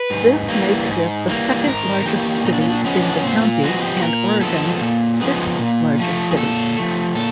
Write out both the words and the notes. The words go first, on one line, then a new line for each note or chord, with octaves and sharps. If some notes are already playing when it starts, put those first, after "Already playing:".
This makes it the second-largest city in the county and Oregon's sixth-largest city.
Already playing: B4
G#2
E3 G3 A#3
G#2
E3 G3 A#3
G#2 A#4
E3 G3 A#3 G4
A#2 D#4
D4
C#4
D4
F3 G#3 B3 C#4
D4
C#4
A#2 C4
F4
F3 G#3 B3 F#4
G4
A#2 A#4
F3 G#3 B3 A4
A#2
F3 G#3 B3
A#2
F3 A3
G#4
A#2 A4
F3 A3
A#2 A4